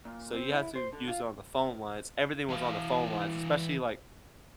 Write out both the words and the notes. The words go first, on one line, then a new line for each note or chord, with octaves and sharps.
So, you have to use it on the phone lines everything was on the phone lines, especially, like,
A#2
C4
E4
C5
D3
F4
E3 F5